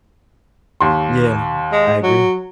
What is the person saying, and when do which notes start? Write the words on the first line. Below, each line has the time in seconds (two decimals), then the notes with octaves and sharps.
Yeah, I agree.
0.80 D#2 C6
1.72 G#3
2.03 F#3